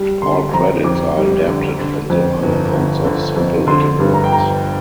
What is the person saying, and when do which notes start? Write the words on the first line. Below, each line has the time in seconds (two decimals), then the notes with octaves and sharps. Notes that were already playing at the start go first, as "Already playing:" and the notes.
All credits are adapted from the liner notes of "Simple Little Words".
Already playing: G3
0.22 D3 C6
0.53 F2 A#5
0.84 F2 D6
1.17 G3
1.48 D3
1.79 D3
2.10 F2
2.42 G1
2.73 G1
3.04 D3
3.36 F2
3.67 D3 C6
3.99 G2
4.14 A#5
4.24 G5
4.31 G1 A#5